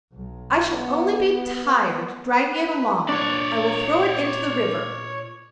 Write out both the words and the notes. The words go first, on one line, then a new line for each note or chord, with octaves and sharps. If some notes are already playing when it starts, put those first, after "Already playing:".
I shall only be tired, dragging it along; I will throw it into the river.
B1
B3
B4
A#2 D4 C#5 D5